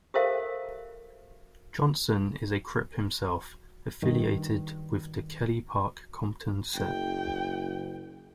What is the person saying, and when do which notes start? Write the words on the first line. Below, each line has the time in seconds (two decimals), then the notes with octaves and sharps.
Johnson is a Crip himself, affiliated with the Kelly Park Compton set.
0.14 G4 A4 A#4 C5 E5 F5
4.02 G2 D#3
6.75 F#1 G5